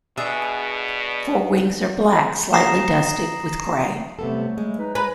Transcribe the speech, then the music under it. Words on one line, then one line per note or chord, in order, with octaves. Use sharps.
Forewings are black slightly dusted with grey.
B2 D4 G#4 E5
A#5 D#6 A#6 C7 E7
C3 F#3 G3 A3 B3 A4
G#3
D#4 B4
B4 G#5 A#5